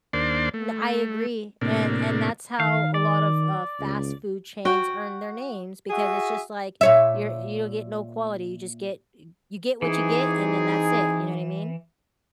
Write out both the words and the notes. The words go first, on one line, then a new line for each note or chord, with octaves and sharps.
N I agree, and and that's how a lot of, uh, fast food chains earn their names, because it's just, like, you're you get no quality, you just get y you get what you get, and then that's it, you know what I mean?
D#2 A#3 D4 C5 D5 C6
A3
A2 C3 A#3 D4
D#3 F5
D5
C#2
F#4 G5
F#4 G#4 E5
A#2 C#5 E5
E3 C4 D#4 G#4